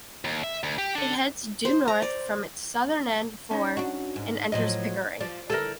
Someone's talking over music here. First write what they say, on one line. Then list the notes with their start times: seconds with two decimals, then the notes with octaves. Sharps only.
It heads due north from its southern end for and enters Pickering.
0.25 D#2
0.44 E5
0.63 D2
0.78 G4
0.95 D4 A4
1.65 C5
1.88 A#5
2.02 D5
3.51 C#4 D#4
3.77 D4 F#4
4.16 G#2
4.52 A2 F3 F#3 D#5
5.20 F3 D5
5.50 D3 E4 A4 A#4